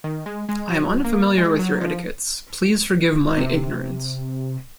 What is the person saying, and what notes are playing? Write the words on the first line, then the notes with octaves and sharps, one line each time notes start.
I am unfamiliar with your etiquettes, please forgive my ignorance.
D#3
G#3
G#3
F#3
A#3
G#3
F#3
F3
C3